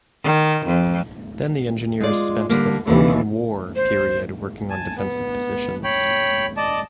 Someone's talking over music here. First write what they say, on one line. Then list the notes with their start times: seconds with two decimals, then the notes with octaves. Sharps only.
Then the engineers spent the Phoney War period working on defensive positions.
0.24 D#3
0.66 F2
2.00 G#3 F4 D5
2.49 D3 G3 A#3
2.87 D#2 D3 E3
3.76 C5
4.70 G#5 A5
4.97 B3
5.84 C#5 G5 B5
6.57 D5 D#5 A5